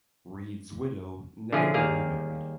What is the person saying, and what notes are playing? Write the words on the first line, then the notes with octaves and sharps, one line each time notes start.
Reid's widow never remarried.
D3 F3 C#4 E4 F4 G#4
D#2 G3 A#3 G#4 F5